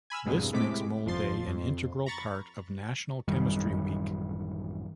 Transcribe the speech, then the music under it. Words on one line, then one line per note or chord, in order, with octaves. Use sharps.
This makes Mole Day an integral part of National Chemistry Week.
G#5 B5 E6 F6
G#1 E2 G2 B2 F#3 G#3
A2 C3 G#3 D6 B6
G1 F2 F3 C6 A6
F2
A#5 B5 C#6 A6
A1 F#2 D#3 G3